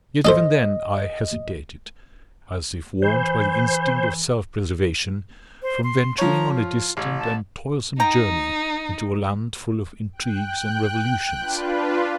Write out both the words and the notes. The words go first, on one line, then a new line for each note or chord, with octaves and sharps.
Yet even then I hesitated, as if warned by the instinct of self-preservation from venturing on a distant and toilsome journey into a land full of intrigues and revolutions.
D#4 A4 C5 D#5
E3 C5
C5
C6
F3 C#5 A#5
F4
A1 C#5
A5
D#4 G5 A#5
G5 F#6
D4 F4 B4